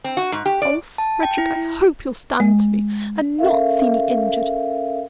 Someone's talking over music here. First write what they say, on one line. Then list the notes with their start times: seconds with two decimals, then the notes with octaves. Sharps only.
Oh, Frederic, I hope you'll stand to me, and not see me injured.
0.04 C4
0.17 F#4
0.32 G#2
0.46 G4
0.62 D5
0.98 A5
1.23 G5
1.38 E4
2.40 G#3
3.38 C#4 A4 A#4 E5 F5